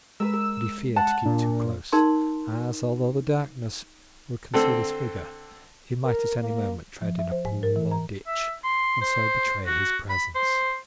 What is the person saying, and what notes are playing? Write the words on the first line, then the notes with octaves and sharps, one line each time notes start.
But he feared to keep too close, as, although the darkness would conceal his figure, he might at any moment tread in a pool or ditch, and so betray his presence.
G#3 A#4 B4 E6
A#4
F#5 A5
A#2 D4
D#4 A#4 C6
D3 C4 A4
A#4
A#3
F3
E5
C5
G#2
A#4
E3
A#5
E5
C6
C5
F#4
B5
C5